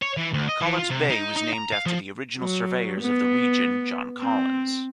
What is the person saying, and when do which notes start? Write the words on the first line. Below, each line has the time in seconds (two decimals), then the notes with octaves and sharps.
Collins Bay was named after the original surveyor of the region, John Collins.
0.02 C#5
0.17 E3
0.33 D2
0.49 D#5
0.61 E3
0.77 F4
0.90 C3
1.10 D#4
1.36 D#4
1.53 A#5
1.72 F5
1.86 F3
2.38 F#3
3.00 B3
4.19 C4